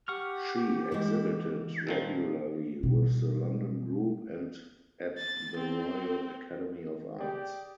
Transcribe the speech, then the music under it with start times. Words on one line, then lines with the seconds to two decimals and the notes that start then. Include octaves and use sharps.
She exhibited regularly with the London Group and at the Royal Academy of Arts.
0.08 G4 F#5 C#6 F6
0.92 E3 G#3
1.87 A#2 D#3 F3
2.83 B2 G3
5.18 A6
5.57 C4
7.19 G4 G#4 D5